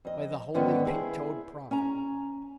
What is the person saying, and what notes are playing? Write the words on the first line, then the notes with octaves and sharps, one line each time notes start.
By the Holy Pink-toed Prophet!
F2 D#5
G#2 D3 D#3 B3 C#4 A4
E4 G#4 A#4 C5
C#4 G#5 A#5